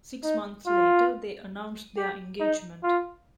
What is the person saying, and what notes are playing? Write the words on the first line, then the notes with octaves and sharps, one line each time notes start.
Six months later, they announced their engagement.
D#4
F4
G4
D#4
F4